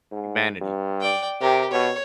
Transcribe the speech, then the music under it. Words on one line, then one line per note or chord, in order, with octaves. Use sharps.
humanity more than anything
G#2
G2
D5 G5
C3 G4 A#4
B2 C#5